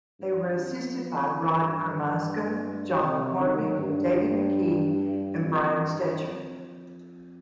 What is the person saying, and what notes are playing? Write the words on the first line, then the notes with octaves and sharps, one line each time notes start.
They were assisted by Rod Cremasco, John McCormick, David McKee and Brian Stecher.
G2
F2
G2
C3
D#3
G2
F2
G2
F2